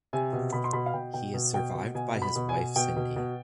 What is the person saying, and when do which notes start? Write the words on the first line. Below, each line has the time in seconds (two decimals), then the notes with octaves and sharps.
He is survived by his wife Cindy.
0.13 C3 G#5
0.33 B2
0.52 B2 B5
0.64 C6
0.73 B2 B5
0.86 F5
0.94 B2 G5
1.14 B2 G5
1.34 B2
1.54 B2 G5
1.75 B2
1.95 B2 G#5
2.15 B2
2.22 B5
2.36 B2
2.49 G#5
2.56 B2
2.76 B2 G5
2.96 B2
3.16 B2